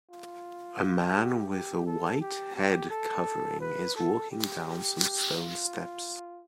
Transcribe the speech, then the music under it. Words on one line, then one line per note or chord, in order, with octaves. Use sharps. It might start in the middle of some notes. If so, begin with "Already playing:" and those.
A man with a white head covering is walking down some stone steps.
F4
G4
G4
A4
G4
G4
A4
B4
A4
G4
F4